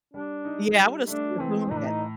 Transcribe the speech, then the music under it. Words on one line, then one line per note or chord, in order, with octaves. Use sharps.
Yeah, I would have assumed that though.
G3 D4
D#4
G3
A3 D4
E3 C4
A2 D#4
D4
D#4